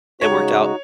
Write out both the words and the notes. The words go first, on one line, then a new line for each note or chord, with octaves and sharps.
it worked out.
C#3 G#3 D#4 F#4 C#5